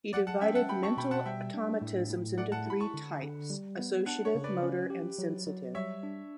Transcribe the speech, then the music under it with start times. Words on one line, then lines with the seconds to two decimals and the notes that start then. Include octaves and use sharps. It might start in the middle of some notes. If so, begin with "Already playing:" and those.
He divided mental automatisms into three types: associative, motor and sensitive.
0.13 F#3 D5 F#5
0.27 F#5 A5
0.41 C#4 E5 G5
0.55 F#5 A5
0.69 F#4 G5 B5
0.83 A5 C#6
0.97 B2 G5 B5
1.11 F#5 A5
1.26 G3 E5 G5
1.54 D4
1.82 A2
2.10 A2
2.37 A3 D5 F#5
2.52 F#5 A5
2.66 E4 B5
2.80 A5 C#6
2.94 D3
3.23 D3
3.50 G3
3.78 B3
4.06 D4 F#5 A5
4.25 C#5
4.35 C#3
4.44 B4 D5
4.63 C#4
4.90 G4
5.18 F#3
5.47 F#3
5.74 G3 C#5 E5
6.03 D4